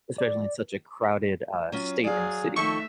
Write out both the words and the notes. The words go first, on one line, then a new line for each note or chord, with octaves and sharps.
especially in such a crowded, uh, state and city,
D5
F#3 C#4 F4
F#3 G#4 D5 F5
D#3 F3 A3 A4 E5 C#6